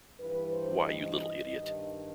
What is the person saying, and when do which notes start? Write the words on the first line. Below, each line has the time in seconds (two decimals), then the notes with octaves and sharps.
Why, you little idiot!
0.20 G2 E3 B4
0.53 C5
0.88 D#5
1.55 G2 D#3